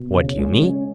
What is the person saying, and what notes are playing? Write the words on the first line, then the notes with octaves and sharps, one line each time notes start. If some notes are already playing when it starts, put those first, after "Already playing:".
What do you mean?
Already playing: B2
C#3
G#3
C#4